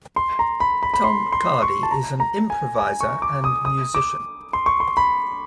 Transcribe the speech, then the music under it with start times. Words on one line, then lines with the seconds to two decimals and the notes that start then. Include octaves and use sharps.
Tom Cardy is an improviser and musician.
0.16 C6
0.39 A#5
0.60 B5
0.83 B5
0.94 B5
1.04 C6
1.32 C6
1.62 C#6
1.83 A5
1.91 A#5
2.20 A#5
2.50 G#5
2.79 G#5
3.01 C#6
3.22 D6
3.44 D#6
3.65 D#6
3.95 D6
4.53 C6
4.66 C#6
4.80 C6
4.97 B5